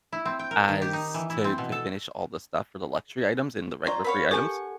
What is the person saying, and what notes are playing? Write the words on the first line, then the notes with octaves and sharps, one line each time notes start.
as to to finish all the stuff for the luxury items and the regular free items,
E4
C4
G5
A#4
D#3
G4
D#4
E3
E4
C4
B2
A4
C#4 F4 D5 A#5 C#6
A#4 C#5 F5 F#5 B5
G4 A4 F#5 G#5 A5 C#6